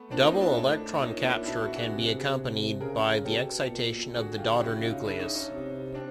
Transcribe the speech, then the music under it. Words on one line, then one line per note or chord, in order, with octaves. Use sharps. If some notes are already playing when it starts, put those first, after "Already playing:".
Double electron capture can be accompanied by the excitation of the daughter nucleus.
Already playing: A3 B3
A#2 C4 D4
C#4 D#4
D4 E4
A2 D4 E4
A#2 C#4 D#4
D4 E4
B2 D4 E4
E4 F#4
F#4 G#4
C3
C#3 G#4 A#4
B2 G4 A4
A#2
D3 F#4 G#4
F4 G4
C#3 E4 F#4
D#4 F4
D4 E4
C#4 D#4
C#4 D#4
C3
C4 D4